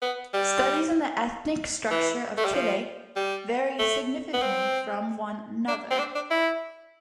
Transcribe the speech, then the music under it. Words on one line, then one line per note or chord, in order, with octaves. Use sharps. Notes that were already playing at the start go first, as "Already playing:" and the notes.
Studies on the ethnic structure of Chile vary significantly from one another.
B3
G3
E3
A3
G3
F3
G3
A3
B3
C4
D4
C4
D4
D4
E4